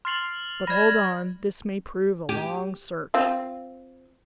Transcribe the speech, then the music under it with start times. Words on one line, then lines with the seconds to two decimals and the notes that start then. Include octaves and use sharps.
"But, hold on, this may prove a long search."
0.05 C6 F6 A6 C7 F7 F#7
0.67 D5 B5 G#6 A#6
2.29 G4
3.14 C4 F4